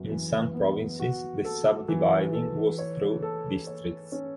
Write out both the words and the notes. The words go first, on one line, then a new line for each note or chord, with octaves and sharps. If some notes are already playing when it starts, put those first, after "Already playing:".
In some provinces the sub-dividing was through "districts".
Already playing: F#2 B3
E3
B3
F#4
A4
E3
A4
C#5
A4
C#5
C#4